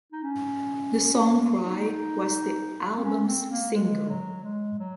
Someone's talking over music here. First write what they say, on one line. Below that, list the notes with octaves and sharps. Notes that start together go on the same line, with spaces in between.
The song "Cry" was the album's single.
D#4
C#4
D#4
C4
C#4
C4
A#3
G#3
F#3
G#3
F#3